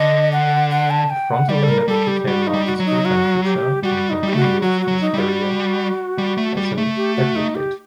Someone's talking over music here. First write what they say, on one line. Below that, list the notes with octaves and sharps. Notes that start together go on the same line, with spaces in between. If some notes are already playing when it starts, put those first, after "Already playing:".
Fronto never became Marcus' full-time teacher, and continued his career as an advocate.
Already playing: D3 D#5
F#5
F#5
A5
G5
F#5
G3 D5
A4
A#4
G3 A4
G4
G3 F#4
D#4
G3
F#4
F#3
D#4
F#4
G4
G3 F#4
D#4
G3
G4
A3 F#4
G3
F#3 F#4
F#4
F#3
D#4
G3
F#4
G3
A3
G3
A3
G4
F#4
D#4
G4